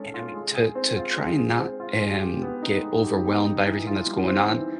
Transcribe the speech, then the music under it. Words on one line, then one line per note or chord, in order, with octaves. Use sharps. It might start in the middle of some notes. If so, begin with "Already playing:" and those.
And to to try not and get overwhelmed by everything that's going on,
Already playing: G#3 C#4 A4
F4
G#3
G#4
C4
F4
G#3
G#4
C4
F4
G#3
G4
B3
D#4
G#3
G4
B3
D#4
E3
F4
G3
C4
E3